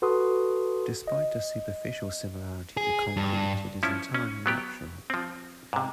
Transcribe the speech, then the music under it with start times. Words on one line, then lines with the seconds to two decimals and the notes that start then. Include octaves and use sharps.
Despite a superficial similarity to concrete it is entirely natural.
0.02 F#4 A4 B4 C6 D#6
1.08 D#5
2.77 G#4
3.17 G2
3.83 F3 C#4 E4
4.14 C#4
4.46 F#3 B3 G4
5.10 F3 C4
5.73 G#2 C3